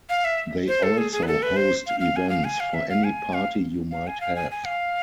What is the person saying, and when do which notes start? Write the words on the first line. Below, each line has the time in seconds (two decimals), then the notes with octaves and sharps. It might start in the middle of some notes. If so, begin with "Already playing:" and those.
They also host events for any party you might have.
0.10 F5
0.24 E5
0.68 C5
0.83 A4
0.98 G#4
1.12 G#4
1.23 B4
1.27 A4
1.43 B4
1.57 C5
1.87 F5
2.00 F5
2.16 G#5
2.30 F5
2.44 G#5
2.60 F5
2.74 E5
2.89 F5
3.04 G#5
3.33 F5
3.91 F5
4.07 G#5
4.21 F5
4.36 G#5
4.51 G#5
4.65 F5